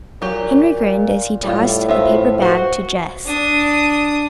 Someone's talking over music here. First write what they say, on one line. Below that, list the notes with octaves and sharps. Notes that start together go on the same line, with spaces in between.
Henry grinned as he tossed the paper bag to Jess.
A#2 F#3 G4
A2 G3 F4
F3 B3 F4 E5
F#4 C5
D4 D#6